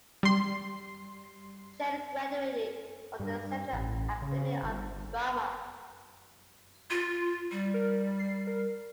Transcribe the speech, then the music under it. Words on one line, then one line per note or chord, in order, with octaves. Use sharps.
Chen graduated from the Central Academy of Drama.
G3 C6
G2
G2
A1
C#3
G1
F4
G3
A#4
C7
A#4